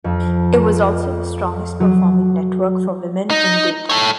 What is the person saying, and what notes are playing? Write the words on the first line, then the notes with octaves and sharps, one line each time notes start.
It was also the strongest performing network for women in daytime.
F2
F#3
D#4
A4 C#5